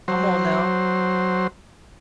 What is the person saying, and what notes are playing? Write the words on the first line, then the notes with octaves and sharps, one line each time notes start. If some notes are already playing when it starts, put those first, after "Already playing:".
Come on, now.
F#3 C5